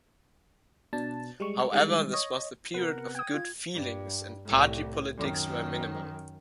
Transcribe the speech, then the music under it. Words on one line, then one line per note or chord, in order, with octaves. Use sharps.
However, this was the period of good feelings, and party politics were minimal.
B2 D4 A5
G3 G#3 C#6
D#3 G3 G#3
C#5 D#5
C3 B3 A#4 B4 F#5
G5 D#6 G#6
F4
G2
C2 A2
F#2 D#3